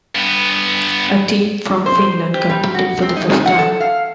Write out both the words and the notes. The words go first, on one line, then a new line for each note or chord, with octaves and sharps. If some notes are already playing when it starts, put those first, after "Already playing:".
A team from Finland competed for the first time.
G2 B3
C5
G4
G3
F#4
C4
D#4
F#5
A4
F5